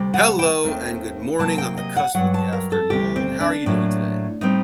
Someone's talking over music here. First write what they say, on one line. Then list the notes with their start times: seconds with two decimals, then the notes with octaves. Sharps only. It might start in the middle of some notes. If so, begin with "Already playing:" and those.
Hello, and good morning on the cusp of the afternoon. How are you doing today?
Already playing: D2 C3 G3
0.14 F#5
0.39 G5
0.64 D#2 D#3 A3 C4
1.39 C3 F#3 A#3 A5
1.58 G5
1.77 D#5
1.96 F#5
2.15 G2 D#3 F#3 F#5
2.34 A5
2.53 A#4
2.72 A4
2.90 D2 C3 G3 G4
3.16 C4
3.40 D4
3.66 A2 F#3 A#3
4.41 A2 G3 C4 D#4